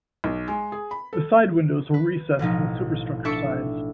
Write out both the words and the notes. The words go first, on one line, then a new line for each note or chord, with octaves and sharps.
The side windows were recessed from the superstructure sides.
B1
G#3
G#4
B5
A4
B4
A1 B2 F3 D#4
D4 A4 E5 C#6 C#7 D7